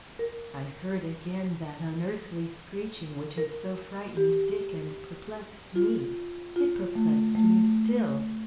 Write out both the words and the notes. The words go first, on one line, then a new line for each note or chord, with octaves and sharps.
I heard again that unearthly screeching which had so frightened Dick and perplexed me, It perplexed me still.
A#4
A#4
G4
F4
F4
A3
A3